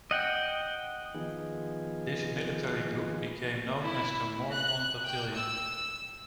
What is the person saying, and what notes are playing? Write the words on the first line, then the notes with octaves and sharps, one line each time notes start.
This military group became known as the Mormon Battalion.
D#5 F#5 G5
D#3 F3 B3 D#4 G#4
E4
F#6
G5
E6